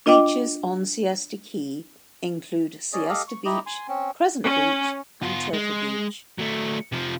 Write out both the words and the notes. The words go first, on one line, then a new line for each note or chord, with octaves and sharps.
Beaches on Siesta Key include Siesta Beach, Crescent Beach, and Turtle Beach.
D4 F4 D#5 G5 D6
C#4 G#4 D5 D#5
G4 A4 D#5 F5
C#6
D#4 E4 G4 D#5
G#5 C6
C4 C#4
C#4
B3 F4
G#3
F#3 A3
C3 F3